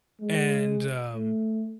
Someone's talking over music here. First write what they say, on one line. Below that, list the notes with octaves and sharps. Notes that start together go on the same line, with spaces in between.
and, um,
G#3
A3